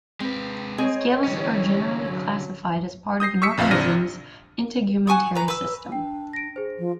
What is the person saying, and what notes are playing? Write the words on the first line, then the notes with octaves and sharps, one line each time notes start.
Scales are generally classified as part of an organism's integumentary system.
G#3 C4 B4
C4 G#4 C#5 D#5
D3 E3 G3 C#4
F#3
D#6 G6 A#6 C7
C#6 D#6 E6 B6 C#7
A#1 F2 E5 F5
G#1 C3 D4 F6 A#6 D#7
F#4 G#5 C#6 D#6
B4 A#5
B4 E6
D4 G5
A#6 D7
G#4 C5
F3